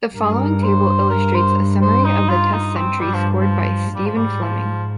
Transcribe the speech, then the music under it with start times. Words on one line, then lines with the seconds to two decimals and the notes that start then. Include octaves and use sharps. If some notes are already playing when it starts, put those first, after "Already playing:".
The following table illustrates a summary of the Test centuries scored by Stephen Fleming.
0.15 G2 A#4
0.23 G#4
0.32 A#4
0.63 C5
1.10 A#4
1.34 C5
1.82 C5
2.05 D#4
2.28 F4
2.53 D#4
2.76 C4
3.00 G2 G3
3.14 F3
3.40 F3
3.95 G#2 G3
4.05 F3
4.16 G3
4.42 F3